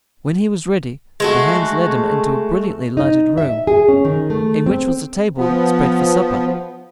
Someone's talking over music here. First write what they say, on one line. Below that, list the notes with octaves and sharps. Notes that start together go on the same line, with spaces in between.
When he was ready, the hands led him into a brilliantly-lighted room, in which was a table spread for supper.
G#3 A3 F#4
D#4
E5
G#4
C#4
D#3
A3
C4
F3 B3